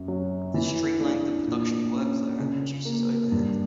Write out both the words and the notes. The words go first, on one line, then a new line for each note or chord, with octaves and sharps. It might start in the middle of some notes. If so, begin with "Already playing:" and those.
This streamlined the production workflow and reduces overhead.
Already playing: F#2
F#3
E3
D4
A#2
C#4
C#3
A#3
G2